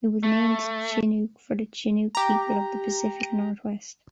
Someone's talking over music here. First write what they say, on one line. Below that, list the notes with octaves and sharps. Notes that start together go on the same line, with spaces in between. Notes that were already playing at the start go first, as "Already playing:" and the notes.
It was named "Chinook" for the Chinook people of the Pacific Northwest.
A3
G4 A#5